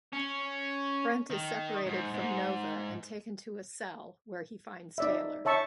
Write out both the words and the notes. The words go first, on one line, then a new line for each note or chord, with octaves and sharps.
Brent is separated from Nova and taken to a cell, where he finds Taylor.
C#4
D#3
G#2
G#2
D#4 D5 E5
C#5 E5 A5 C#6